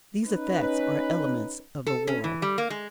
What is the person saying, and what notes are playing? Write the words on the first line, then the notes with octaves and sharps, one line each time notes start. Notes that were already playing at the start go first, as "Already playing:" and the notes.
These effects are elements of the world.
C#4 D#4 B4
A4
C#4
E3
G3
A#3
G#3